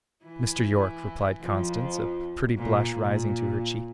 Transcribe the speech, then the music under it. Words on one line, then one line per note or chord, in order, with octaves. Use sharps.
"Mr. Yorke," replied Constance, a pretty blush rising to her cheek.
E3 E4
F2 F3
A#2
A#2